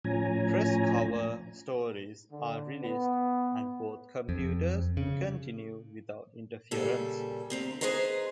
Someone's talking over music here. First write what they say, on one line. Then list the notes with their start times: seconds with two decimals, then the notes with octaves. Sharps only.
Press cover stories are released, and both computers continue without interference.
0.05 A2 F3 C#4 G#5 A#5
2.32 D3
2.83 B3
4.29 F2
4.97 C#3
6.71 A#2 C#3 G3 A4
7.50 D2 C4 A#5
7.81 G#4 A4 B4 C5 D#5 A#5